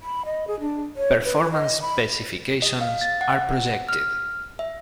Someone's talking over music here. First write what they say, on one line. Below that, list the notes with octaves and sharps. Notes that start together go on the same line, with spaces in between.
Performance specifications are projected.
B5
D#5
G#4
D4
C#5
B4
B4
D#5
B5
D#5
F5
A6
F#5
F6
E5